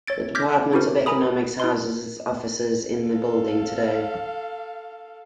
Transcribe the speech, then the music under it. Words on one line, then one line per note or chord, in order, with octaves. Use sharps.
The Department of Economics houses it offices in the building today.
C#5 E6 A6 D7
D6 F6 G6 G#6 A#6 B6
D4 E4 F#4 G4 A#4 C5
A#4 G#5 A#5 B5 D#6
E4 C6
A4 F5